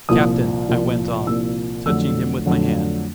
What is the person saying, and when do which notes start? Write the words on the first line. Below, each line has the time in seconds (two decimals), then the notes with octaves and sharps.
"Captain!" I went on, touching him with my hand.
0.09 C2 A#2 F3 D#6
0.69 C2 A#2 F3
1.27 C2 A#2 F3 E6
1.86 F2 D3 F#3 A3 D4 E6
2.46 F2 D3 F#3 A3 D4